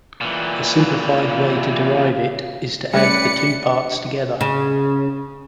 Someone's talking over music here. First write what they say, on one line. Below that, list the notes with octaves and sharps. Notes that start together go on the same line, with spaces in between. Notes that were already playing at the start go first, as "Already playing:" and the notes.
The simplified way to derive it is to add the two parts together.
A#2 E3
G3 A3 C#4 G#4 B4 D5 C#7
C#3